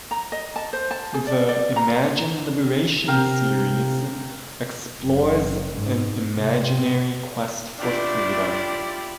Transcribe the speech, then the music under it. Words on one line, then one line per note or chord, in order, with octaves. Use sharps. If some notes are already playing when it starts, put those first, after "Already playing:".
The "Imagine Liberation" series explores an imaginary quest for freedom.
A#5
D#5
A5
C5
A5
G#4
D5
D5
A#5
C3 A#4 F5 G5
F#1
G#2
C3
C3 A3 D4 E4 F4 G4 D5